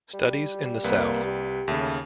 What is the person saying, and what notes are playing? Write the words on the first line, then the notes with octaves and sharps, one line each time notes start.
Studies in the South.
G3
C2 A#3 B4
G4
D#2 C#3 A3